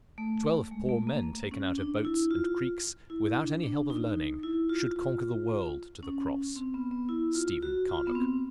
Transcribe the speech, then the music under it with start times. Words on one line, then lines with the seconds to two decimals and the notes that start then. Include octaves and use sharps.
Twelve poor men taken out of boats and creeks, without any help of learning, should conquer the world to the cross. --STEPHEN CARNOCK.
0.18 A3
0.71 G#3
0.89 A3
1.07 A#3
1.51 C#4
1.78 D4
2.05 E4
2.31 F4
3.10 E4
3.37 D4
3.63 D4
3.90 D#4
4.43 E4
4.69 F4
4.96 F4
6.03 C#4
6.56 C4
6.74 B3
6.91 B3
7.09 E4
7.35 F4
7.63 F#4
7.89 F4
8.07 B3
8.15 C4